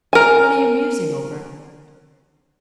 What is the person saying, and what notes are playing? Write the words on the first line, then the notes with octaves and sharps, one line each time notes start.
"What are you musing over?"
A#4 G#5